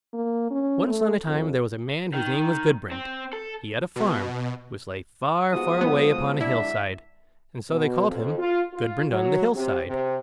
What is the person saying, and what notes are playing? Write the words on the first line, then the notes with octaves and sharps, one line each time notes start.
Once on a time there was a man whose name was Gudbrand; he had a farm which lay far, far away upon a hill-side, and so they called him Gudbrand on the Hill-side.
A#3
C#4
A3
F2
D#3
C4
A4
B2
F3 G#3 B3 F#4 D#6
G#2 D3 F#3 B3
D4 E4 E5
B2
F2
F4
F4
F#3
C3
C3